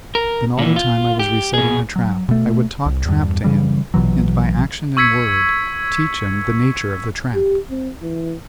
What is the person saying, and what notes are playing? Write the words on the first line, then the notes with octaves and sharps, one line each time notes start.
Then all the time I was resetting the trap I would talk trap to him, and by action and word teach him the nature of the trap.
A#4
A#2 E3
F4
G4
B2 G#4
F#3
B2 A3
C2
E2 G2
C#3 E3 G3
A#1 B2 E3 F#3
C#6 E6 G#6 B6 C#7
G4
C4
E3